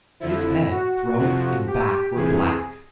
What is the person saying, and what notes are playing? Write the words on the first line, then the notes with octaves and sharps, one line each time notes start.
His head, throat and back were black.
F2 D3 F3 E4
F#4
F2 C3 F3
G4
F2 C3 E3 G#4